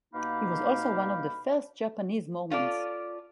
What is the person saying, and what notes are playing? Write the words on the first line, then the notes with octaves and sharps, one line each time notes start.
He was also one of the first Japanese Mormons.
B2 A#3 D#4 G4 F5 B5
C#4 F4 A4 D5